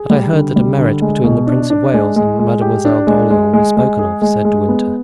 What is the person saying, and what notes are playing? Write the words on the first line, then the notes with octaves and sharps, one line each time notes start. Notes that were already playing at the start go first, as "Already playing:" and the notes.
"But I heard that a marriage between the Prince of Wales and Mademoiselle d'Orleans was spoken of," said De Winter.
Already playing: G#4
G3
D3
G3
D3
G#3
B2
D4
D4
G#3
G#3
G#3
G4
D4
G#3
G#3
G#3
G#3
G#4
G#3
G#3
B3